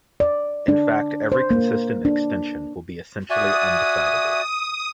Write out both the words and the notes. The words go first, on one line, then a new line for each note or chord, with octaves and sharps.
In fact, every consistent extension will be essentially undecidable.
D5
D4
C5
A#3
D4
F#4 D5 E5 G#5 D#6